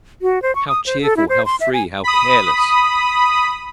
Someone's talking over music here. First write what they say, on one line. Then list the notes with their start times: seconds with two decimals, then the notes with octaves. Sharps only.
How cheerful, how free, how careless!
0.22 F#4
0.42 C5
0.55 C#6
0.68 D#6
0.86 C5
1.02 A4
1.17 E4
1.29 C5
1.45 C6
1.60 E5
1.73 G#5
2.04 B5 D#6